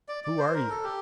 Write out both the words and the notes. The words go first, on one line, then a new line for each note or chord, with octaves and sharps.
"Who are you?"
D5
D5
C5
A#4
A4
G4